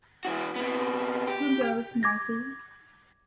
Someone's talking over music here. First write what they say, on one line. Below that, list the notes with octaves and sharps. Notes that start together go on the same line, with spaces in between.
Who Goes Nazi?
E3 F#4
C3 B3
G4
D6 G#6 A#6